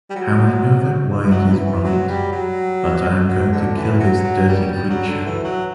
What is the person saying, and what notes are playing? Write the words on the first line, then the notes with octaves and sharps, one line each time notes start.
How I know that why it is right. But I am going to kill this dirty creature.
G3
F#3
E3
F#3
E3
E3
F#3
G3
F#3
F#3
D3
E3
F#3
F#3
G3
G3
F#3
D3
E3
F#3